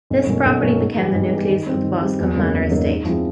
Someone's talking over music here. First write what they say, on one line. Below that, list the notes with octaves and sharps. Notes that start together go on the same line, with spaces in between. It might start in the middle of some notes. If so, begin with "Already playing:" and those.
This property became the nucleus of the Boscombe Manor Estate.
B1
B2 F#3 A#3 C#4
B1
B2 F#3 A#3 C#4
G#2
E3 G3
G#2
E3 G3
D#3
G3 C4
D#3
G3 C4
E2
C#3 F#3 A#3 D#4
E2
C#3 F#3 A#3 D#4
G#2
F3 G#3 C4 E4